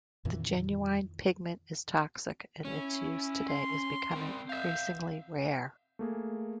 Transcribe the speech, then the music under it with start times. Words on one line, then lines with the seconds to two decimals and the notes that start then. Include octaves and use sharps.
The genuine pigment is toxic, and its use today is becoming increasingly rare.
0.25 F2 A#2 D#3 E3
2.65 C#4 E4
3.49 C6
4.12 C4 A#4
4.49 E5 F5 G6
5.99 A3 A#3 G#4